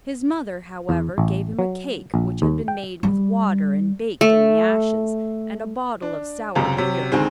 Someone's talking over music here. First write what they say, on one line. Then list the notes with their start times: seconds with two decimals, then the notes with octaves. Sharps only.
His mother, however, gave him a cake which had been made with water and baked in the ashes, and a bottle of sour beer.
0.89 E2
1.18 A1
1.59 F#3
2.14 A#1
2.42 D#2
2.68 G5
3.03 G3
4.21 A3
6.02 D4
6.55 C#2 F#2 C3
6.77 C3 F#3
7.12 D2 D#3 G#3 C4